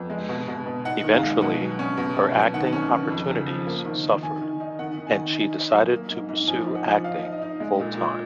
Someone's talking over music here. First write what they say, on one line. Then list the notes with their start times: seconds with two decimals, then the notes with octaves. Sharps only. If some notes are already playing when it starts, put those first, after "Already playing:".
Eventually, her acting opportunities suffered and she decided to pursue acting full-time.
Already playing: F2 B3
0.10 G#3
0.29 B2
0.48 B2
0.66 B2
0.85 D#4 F#5
1.04 D#3
1.14 F5
1.23 G#3
1.41 B2 F#5
1.60 F#3
1.79 C#4
1.97 B2
2.16 B2
2.35 F#3
2.54 D#3 F#5
2.72 C#4
2.92 D#3
3.10 F2
3.29 C#3
3.47 F3
3.67 A#3
3.85 D#3
4.04 D#3
4.22 D#3 G#5
4.41 D#3
4.60 D#4
4.79 D#3 F#5
4.97 D#3
5.07 G#5
5.17 D#3
5.35 D#4
5.54 D#4
5.73 F#3
5.92 A#3
6.10 G#2
6.29 G#2
6.47 F3 G#5
6.67 D#4
6.75 F#5
6.86 F3
7.04 D#4 F5
7.23 D#4
7.32 D#5
7.42 D#4
7.60 G#3
7.79 A#2
7.97 A#2